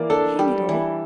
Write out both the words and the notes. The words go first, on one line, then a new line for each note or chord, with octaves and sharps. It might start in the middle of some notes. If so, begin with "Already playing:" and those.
Hang it all!
Already playing: E3 A#3 A#4 D5
D4 A4
G3
E3